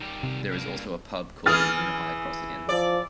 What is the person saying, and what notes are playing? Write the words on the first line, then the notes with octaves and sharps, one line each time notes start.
There is also pub called the Moone High Cross Inn.
D#3 G3 G4
C3
G2 A#3
E3 G#4 F6 A6
F3 D5